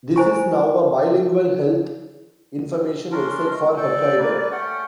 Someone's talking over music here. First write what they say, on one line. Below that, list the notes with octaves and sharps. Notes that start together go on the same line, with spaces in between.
The is now a bilingual health information website for Hokkaido.
E4 C5 G#5 C#6
C#4 D4 A#4 C6
G#3 A3
A4 D5 G5
A#3 B4
A3 C#4 F#5 G5